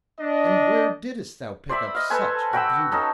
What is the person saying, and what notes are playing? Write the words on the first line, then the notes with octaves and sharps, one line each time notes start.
And where didst thou pick up such a beauty?
D4 D#5
C5 D5 E5 B5
D#5 F5
A4 B4 C5 G#5
F#4 G5 B5 E6
C#4 D#4 A4